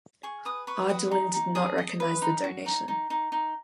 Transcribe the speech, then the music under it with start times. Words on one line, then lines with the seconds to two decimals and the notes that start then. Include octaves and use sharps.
Arduin did not recognise the donation.
0.23 G#4 C#6
0.45 B4 D#6
0.67 B4 C#6
0.89 F#4 D#6
1.11 D#4
1.34 D#4
1.55 G#4 D#6
1.78 D#5
2.00 B4
2.22 D#4
2.44 F#4
2.66 D#4
2.88 D#4
3.10 D#4
3.32 D#4